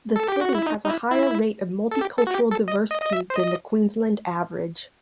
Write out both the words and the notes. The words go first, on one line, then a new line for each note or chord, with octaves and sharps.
The city has a higher rate of multicultural diversity than the Queensland average.
A4
G4
F#4
E4
D#4
D#4
E4
E4
A4
G4
A4
F#4
G4
A4
D#5
D#5
D#5
E5
C5
D#5